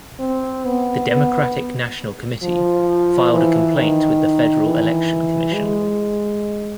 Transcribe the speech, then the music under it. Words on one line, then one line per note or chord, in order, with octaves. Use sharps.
The Democratic National Committee filed a complaint with the Federal Election Commission.
C4
B3
B3
F3
E3
D#3
E3
G#3